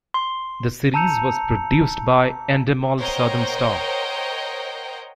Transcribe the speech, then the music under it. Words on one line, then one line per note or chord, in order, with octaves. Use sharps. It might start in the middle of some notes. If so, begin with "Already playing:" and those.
The series was produced by Endemol Southern Star.
C6
A5 A#5 E6 G6 C#7 F7
A#4 C5 C#5 D#5 F#5 G5